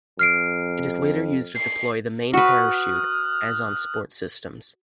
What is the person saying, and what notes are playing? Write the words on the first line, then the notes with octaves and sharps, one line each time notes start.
It is later used to deploy the main parachute as on sports systems.
F2 F6 C7 D7
C7
F#4 B4 D#6 F6 F#6